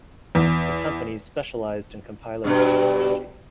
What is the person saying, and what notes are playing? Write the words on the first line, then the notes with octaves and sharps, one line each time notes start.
The company specialized in compiler technology.
E2
G2 B2